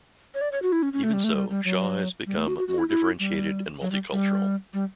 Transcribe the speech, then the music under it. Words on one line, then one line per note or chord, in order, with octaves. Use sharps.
Even so, Shaw has become more differentiated and multicultural.
C#5
D5
C#5
F#4
E4
C#4
C#4
A3
G3
A3
G3
G3
F#3
G3
A3
F#4
F#4
F#4
E4
E4
G3
F#3
G3
G3
G3